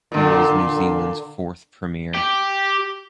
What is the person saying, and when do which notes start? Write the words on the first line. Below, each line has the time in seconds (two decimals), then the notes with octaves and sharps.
He was New Zealand's fourth Premier.
0.12 A#2 D3
2.15 G4